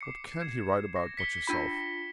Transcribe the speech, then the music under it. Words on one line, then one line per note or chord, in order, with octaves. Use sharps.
What can he write about, but yourself?
D6 C7 C#7
G#6 E7
A#6
B6 C#7 G7
D4 F4 B5